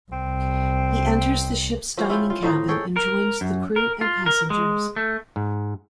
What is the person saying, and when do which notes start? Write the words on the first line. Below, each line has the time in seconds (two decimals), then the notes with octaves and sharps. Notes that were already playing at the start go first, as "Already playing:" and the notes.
He enters the ship's dining cabin and joins the crew and passengers.
0.12 C2 C4
1.97 F3 C4 C#4 F#4
2.10 E4 F4 G5
2.30 F4
2.43 A2 C4 D#4 D#5
2.68 G#4 A4 C#5 G5
2.96 A#4
3.41 F#2
3.76 A#4
4.01 F4
4.26 A#4
4.50 G#3
4.96 A3
5.36 G#2